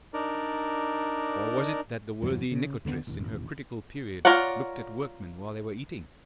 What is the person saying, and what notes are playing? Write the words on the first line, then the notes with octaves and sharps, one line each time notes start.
Or was it that the worthy Nikotris in her critical period looked at workmen while they were eating?
D4 D#4 A#4 D5
E2 G2 E3 F#3
C#3
D#2 D3 F3 B3
E1 A1 D#2
F4 A#4 C#5 D5 F#5